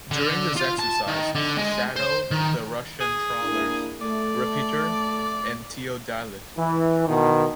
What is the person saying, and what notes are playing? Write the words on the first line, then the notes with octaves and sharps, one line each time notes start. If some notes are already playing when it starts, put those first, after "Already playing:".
During this exercise she shadowed the Russian trawlers "Repiter" and "Teodilit".
D3
F4
A5
D#3
D3
G#3
C5
D#3
G#4
A#3 D4 E4
A3 D5
E3
B2 D#3